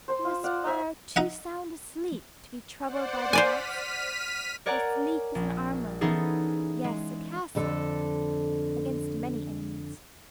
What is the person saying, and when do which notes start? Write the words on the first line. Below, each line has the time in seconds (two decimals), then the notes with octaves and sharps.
He was far too sound asleep to be troubled by the rats; for sleep is an armour--yes, a castle--against many enemies.
0.08 C5 C6
0.25 F4
0.44 D5 F5 F#5
0.66 C5 E5 G#5
1.16 D#4 D#5 F#5
2.81 C5 D5 F#5
3.33 C5 D5 G#5 F6 B6 D#7
4.66 A#4 C#5 D5 F#5 G#5 A#5
5.35 A#1
6.01 E3 B3 C#4 D#4 G#4 A4
6.84 G#3
7.55 F2 D3 A4